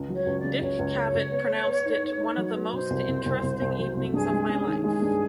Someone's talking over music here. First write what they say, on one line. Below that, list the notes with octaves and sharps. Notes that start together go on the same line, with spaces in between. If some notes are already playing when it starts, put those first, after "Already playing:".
Dick Cavett pronounced it "one of the most interesting evenings of my life".
Already playing: C#2
F#3
C#5
C#2
D5
C#3
C#2 C#5
C#2
C#2
C#2
B3
B3
B3
D#4
D#4
D#4
F#3
B3
B2 C5
C2
C2
C2
C2
C2
F#3
C2
G2 G#4
G#3
C#4
D#3
G#3 G#4
G2